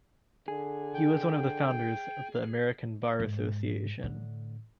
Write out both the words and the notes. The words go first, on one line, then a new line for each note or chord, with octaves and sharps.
He was one of the founders of the American Bar Association.
D3 G#4
G5
G#2
A2 D3